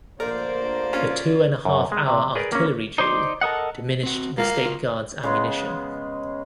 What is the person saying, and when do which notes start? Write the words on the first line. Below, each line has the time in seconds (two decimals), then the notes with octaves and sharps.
The two and a half hour artillery duel diminished the State Guard's ammunition.
0.20 A#1 D3 A3 A#3 A#4 C5 D5
0.93 C#4 F4
1.65 F#2
1.92 G#3
2.08 C3
2.35 G#4 A#4 B4 D5
2.52 A#3 C#4
2.98 D#4 C5 D5 C6
3.41 A4 A#4 D#5 F#5
4.03 C4 F#4
4.38 G#3 A#3 F4
4.50 F5
4.66 C#3 F4
5.23 C#3 G#3 B3